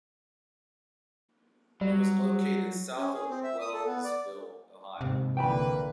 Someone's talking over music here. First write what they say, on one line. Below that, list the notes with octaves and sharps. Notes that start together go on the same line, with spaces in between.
It was located south of Wellsville, Ohio.
F#3 G3
C#4
G#4
C4
E5
D#6
A4
B3
D5
D#2 G#2 C3
A#1 D3 E3 A#3 B4 G5 A5 B5